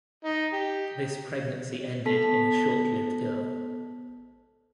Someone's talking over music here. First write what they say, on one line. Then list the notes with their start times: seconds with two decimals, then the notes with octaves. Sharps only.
This pregnancy ended in a short-lived girl.
0.25 D#4
0.53 G4
2.05 B3 A4 A5 B6